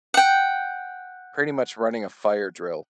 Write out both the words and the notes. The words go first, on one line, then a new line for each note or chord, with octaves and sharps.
pretty much running a fire drill,
F#5 G5